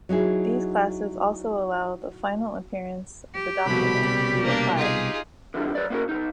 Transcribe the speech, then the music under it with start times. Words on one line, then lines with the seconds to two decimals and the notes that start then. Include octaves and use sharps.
These classes also allow the final appearance of the document to be applied.
0.09 F#3 D#4 E4 G#4
3.34 G4
3.66 C2 B2 F3 F#3 A3 B5
3.98 C#3 G3
4.43 A#3 D4
4.76 D#4 F4 G#4
5.54 D3 E3 F3 G3 D4
5.75 F#3 B4 C#5 D5
5.90 A#3 B3 C#4 F#4 A#4
6.09 B1 C3 D#4